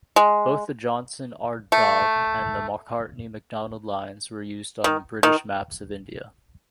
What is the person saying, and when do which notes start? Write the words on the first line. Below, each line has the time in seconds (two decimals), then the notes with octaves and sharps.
Both the Johnson-Ardagh and the Macartney-MacDonald lines were used on British maps of India.
0.16 G#3
1.72 A3
4.84 D#3
5.23 D#3